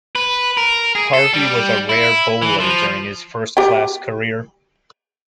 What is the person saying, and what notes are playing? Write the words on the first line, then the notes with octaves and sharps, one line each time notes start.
Harvey was a rare bowler during his first-class career.
B4
A#4
G#4
A4
G3
E4
E3
F3
G4 G5